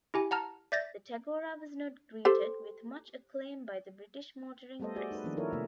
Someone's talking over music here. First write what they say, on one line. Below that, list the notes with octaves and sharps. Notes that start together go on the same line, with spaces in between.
The Tagora was not greeted with much acclaim by the British motoring press.
E4 G4 G#5
F#5 A5 A#5 F6
D5 E5 G6 A6 A#6
G4 A4 C5
G3 A3 B3 A4 C5 D#5
F#4 G#4 D5
D#4 B4
D#3 F3 A#3 C#4 D4
F3 D#4 E4 A4 A#4 C#5
C3 A3 B3 E5